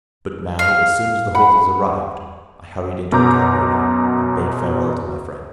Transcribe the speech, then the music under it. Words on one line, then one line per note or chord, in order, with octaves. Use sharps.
But now, as soon as the horses arrived, I hurried into a cabriolet, and bade farewell to my friend.
F5
F#5 B5
F#2 B2 F#3 A#5 D6 G6